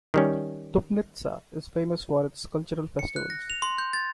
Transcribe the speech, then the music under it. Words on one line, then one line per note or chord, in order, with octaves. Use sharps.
Dupnitsa is famous for its cultural festivals.
D#3 G3 C#4
C#7
F#6
A#6
F7
C6
G6
A6